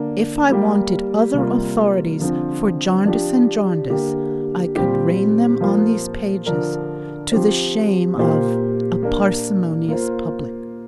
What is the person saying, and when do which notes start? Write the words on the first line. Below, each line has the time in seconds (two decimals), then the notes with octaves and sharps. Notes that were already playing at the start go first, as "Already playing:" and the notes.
If I wanted other authorities for Jarndyce and Jarndyce, I could rain them on these pages, to the shame of--a parsimonious public.
Already playing: D3 A#3 D4
0.49 G3 A#3 G4
1.34 C3 G3 A#3 F4
2.19 D3 F3 C4
3.05 F3 D4 G4
3.90 D3 A#3 G4
4.76 A#2 G3 C4 G4
5.60 F3 A#3 F4 C5
6.46 D3 F3 D4 A#4
7.32 F3 C4 G4 C5
8.17 A#2 A#3 G4 C5
9.03 A#3 D4 A#4
9.88 A#3 F4 C5